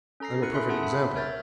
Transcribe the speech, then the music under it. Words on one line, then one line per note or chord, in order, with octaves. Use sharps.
I'm a perfect example.
C#4 A4 A#5 A#6 C7
B3 E4 A#4 F#6 C#7
C#4 A4 E5 B5 C6 F#6
G#4 A4 F#5 A5 C6 D#6
E5 B5
A#4 C#5 E5 F6 G6 A6